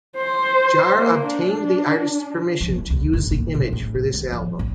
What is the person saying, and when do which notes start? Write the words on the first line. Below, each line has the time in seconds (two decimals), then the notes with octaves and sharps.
Jarre obtained the artist's permission to use the image for this album.
0.17 C5
0.98 A#3
1.27 D4
2.61 F3
2.78 E4
2.90 D2
3.13 G1
3.31 A#2
3.54 A#1
3.72 A2
3.95 C4
4.14 D#3
4.33 F3
4.59 A1